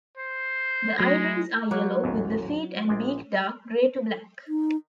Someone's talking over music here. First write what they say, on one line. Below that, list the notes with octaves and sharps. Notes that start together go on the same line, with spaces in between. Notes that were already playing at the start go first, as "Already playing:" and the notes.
Their eye-rings are yellow, with the feet and beak dark gray to black.
C5
F#3 G#3 A3 A#6
F#3 A#3
A1 D#2 G#2
A#1 G#3 D5
D#4